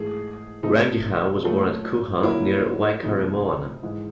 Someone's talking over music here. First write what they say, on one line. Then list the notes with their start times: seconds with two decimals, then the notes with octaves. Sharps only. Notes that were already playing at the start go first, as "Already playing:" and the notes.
Rangihau was born at Kuha near Waikaremoana.
Already playing: G#2 E3 A3 G#4
0.63 C3 E3 A3 D#4
1.43 A#2 F#3 A3
2.23 A#2 F#3 A#3 E4
3.03 F2 C3 F3 A3 D#4
3.83 G#2 E3 G#3